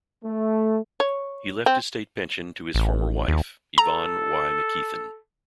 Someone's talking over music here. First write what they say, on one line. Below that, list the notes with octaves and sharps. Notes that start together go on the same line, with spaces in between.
He left his state pension to his former wife, Yvonne Y. McKeithen.
A3
C#5
C4
A1
D#2
A4 A#5